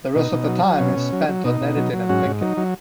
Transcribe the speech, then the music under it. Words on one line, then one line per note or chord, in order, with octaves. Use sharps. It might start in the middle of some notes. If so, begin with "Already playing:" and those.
The rest of the time is spent on editing and thinking.
B2 D#4
B2
F#3
F#3
B2 C#4
B2
F#3
F#3
B2 D#4
B2
F#3
F#3
G#2 C#4 F#4
G#2
F#3 D#4
F#3